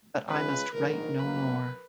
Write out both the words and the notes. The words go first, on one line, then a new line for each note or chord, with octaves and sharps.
But I must write no more.
C#3 G#3 C#4 F4 G#4 B4
A#1 G#2 D#3 A#4
F#2 D#3 F#3 A#3 B4